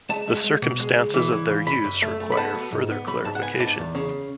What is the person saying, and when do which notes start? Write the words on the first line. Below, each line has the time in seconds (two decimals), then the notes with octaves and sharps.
The circumstances of their use require further clarification.
0.09 G#3 A5
0.27 G#3
0.44 G#3
0.62 B2
0.80 G#3
0.97 C#3
1.14 E3
1.32 E3
1.49 C#3
1.67 F#2 B5
1.84 F#2
2.02 A3
2.20 A3
2.32 B5
2.37 B3 A5
2.55 F#3
2.73 G#2
2.91 B3
3.07 F#3 B5
3.25 G#2 A5
3.35 F#5
3.42 B3 G#5
3.60 G#2 A5
3.78 E2
3.95 C#3